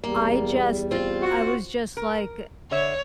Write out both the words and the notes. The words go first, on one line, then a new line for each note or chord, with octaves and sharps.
I just I was just, like, eh,
E2 G3 A#3
C4 F4
F#4
A#4
D3 C#5 E5